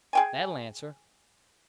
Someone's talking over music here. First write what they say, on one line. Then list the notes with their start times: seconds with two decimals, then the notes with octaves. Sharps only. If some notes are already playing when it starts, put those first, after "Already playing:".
That'll answer.
0.13 G#4 G5 G#5